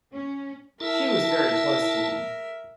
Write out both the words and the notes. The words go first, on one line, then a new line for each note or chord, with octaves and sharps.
She was very close to him.
C#4
E4 A#4 E5 A5